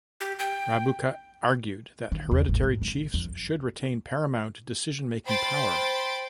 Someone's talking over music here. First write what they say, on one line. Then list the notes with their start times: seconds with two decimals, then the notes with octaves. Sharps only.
Rabuka argued that hereditary chiefs should retain paramount decision-making power.
0.20 G4
0.39 G5
2.12 D#3
2.31 E2
2.49 A1
2.63 G#2
2.82 C3
3.14 F2
5.27 C5 G5 B5 C6 A6 D7